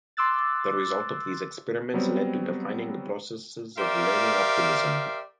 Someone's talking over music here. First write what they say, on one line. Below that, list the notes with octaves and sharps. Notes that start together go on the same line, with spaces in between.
The result of these experiments led to defining the processes of learning optimism.
C6 D6 E6 F#6 A6
F#3 G3 B3 C4
G4 A#4 C5 D5 E5 F5